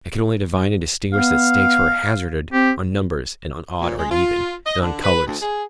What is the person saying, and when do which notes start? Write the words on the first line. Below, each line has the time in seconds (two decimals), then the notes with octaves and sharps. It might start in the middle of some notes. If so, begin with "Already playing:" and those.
I could only divine and distinguish that stakes were hazarded on numbers, on "odd" or "even," and on colours.
1.13 B3 F5
2.53 C4 G4
3.81 A#2
3.98 G#3
4.11 F4
4.65 D#5
4.81 D3
5.04 B4
5.26 D2
5.42 G#4